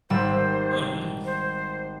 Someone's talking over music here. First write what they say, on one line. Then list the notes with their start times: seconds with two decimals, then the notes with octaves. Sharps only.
Oh, nice.
0.10 G#1 G3 C5 E6
1.25 C5